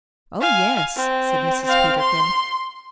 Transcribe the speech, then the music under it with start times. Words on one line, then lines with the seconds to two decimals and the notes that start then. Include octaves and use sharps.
"Oh, yes," said Mrs. Peterkin.
0.41 F5 G#5
0.96 C4
1.65 C4 F5
1.98 C6